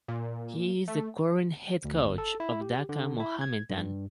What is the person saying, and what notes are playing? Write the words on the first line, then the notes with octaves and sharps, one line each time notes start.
He is the current Head Coach of Dhaka Mohammedan.
A#2
A3
D2
G1
A4
E4
G4
D3
E4
G#6
G2